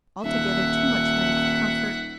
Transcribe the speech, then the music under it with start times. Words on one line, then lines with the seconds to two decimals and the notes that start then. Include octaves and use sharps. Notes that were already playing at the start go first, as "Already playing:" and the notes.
Altogether too much married for comfort.
0.24 D#1 E5 F#5